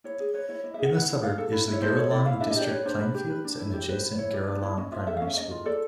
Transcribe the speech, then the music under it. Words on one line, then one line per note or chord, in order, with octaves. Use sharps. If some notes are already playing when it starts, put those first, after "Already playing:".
In the suburb is the Giralang District Playing fields and adjacent Giralang Primary School.
E4 C#5
G#4
B4 C#5
E4 C#5
E4 D#5
E5
G#4 F#5
B4 F#5
E4
A4 F5
A4
E4 B4
E4
C#5
A4 C5
A4 C#5
E4 D5
E5
E4 F5
D4 E5
D#5
G4
D5
B4 C#5
D4 C5
D4 B4
G4
B4
D4
E4
G4
B4 C5
E4
E4 C#5
G4 D5
B4 D5
E4
C#4 D#5
F4 E5
A4 E5
C#4 F5
E5
C#4 D#5
F4
A4 D5